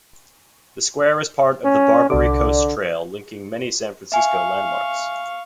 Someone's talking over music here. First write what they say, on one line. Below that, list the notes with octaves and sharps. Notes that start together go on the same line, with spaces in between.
The square is part of the Barbary Coast Trail, linking many San Francisco landmarks.
C#4
C2 D3 D5 D6
E5 F5 G#5 C#6